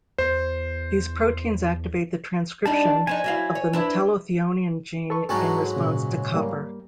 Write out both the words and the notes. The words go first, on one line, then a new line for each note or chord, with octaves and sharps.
These proteins activate the transcription of the metallothionein gene in response to copper.
E2 C5
G3 D4 D#4 A5
F3 D4 D#4 G#5
F#3 E4 F5
C#5
D4 E4 B4
A4 B4 C#6
G#2 F#3 C#4 A4 A5 A#5
A#2 C#3
G3 A#3